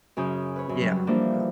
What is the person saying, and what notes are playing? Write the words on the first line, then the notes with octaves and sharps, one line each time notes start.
Yeah, yeah.
F#2 C#3 C#5 D#6 G6
B4 C#5
F#2
F#3 G3
E3 F3 G3 A#3 D4